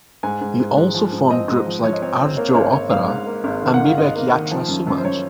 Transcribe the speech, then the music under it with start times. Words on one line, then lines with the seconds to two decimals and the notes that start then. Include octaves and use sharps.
He also formed groups like "Arjo Opera" and "Bibek Yatra Samaj".
0.23 G#2 G#5
0.41 G#2
0.60 G#2
0.77 G#2
0.94 F3
1.13 G#2
1.30 C4 D#5
1.48 G#2
1.66 F3
1.83 F3 C#5
1.93 D#5
2.02 C4 C#5
2.19 C4
2.37 A#3 C#5
2.55 G#1 C#5
2.73 G#1 C#5
2.90 G#2 F5
3.08 G#2
3.26 A#3
3.44 G#1
3.62 D#3
3.74 F#5
3.80 G#1
3.85 F5
3.97 G#1 D#5
4.16 A#3
4.33 D#3
4.51 F3
4.68 F#2
4.87 F#2
4.97 C5
5.04 F#2 C#5